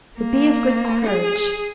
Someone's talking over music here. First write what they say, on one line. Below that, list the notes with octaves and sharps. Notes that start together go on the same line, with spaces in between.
But be of good courage.
A#3
G#4